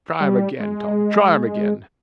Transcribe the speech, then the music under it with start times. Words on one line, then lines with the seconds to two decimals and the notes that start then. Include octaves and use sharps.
'Try 'em again, Tom; try 'em again.'
0.20 G3
0.60 G#3